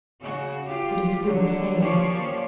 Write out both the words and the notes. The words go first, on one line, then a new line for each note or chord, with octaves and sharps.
It is still the same.
C#3 F#4
F4 G4
D3 F#3
F3 A#3 C#4 G4 C#5 D5